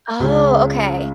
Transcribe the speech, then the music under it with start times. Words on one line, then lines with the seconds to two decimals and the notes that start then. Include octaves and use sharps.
Oh, okay.
0.20 C#2 C#3 G#3 C#4